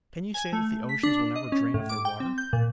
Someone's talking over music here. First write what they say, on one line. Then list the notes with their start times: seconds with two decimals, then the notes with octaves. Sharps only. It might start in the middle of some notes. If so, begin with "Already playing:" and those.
Can you say that the oceans will never drain of their water?
0.34 G#5
0.53 A3
0.89 B6
1.03 D4
1.36 D#5
1.52 C#4
1.74 A2
1.89 D6
2.05 G5
2.20 C4
2.38 G6
2.53 A#2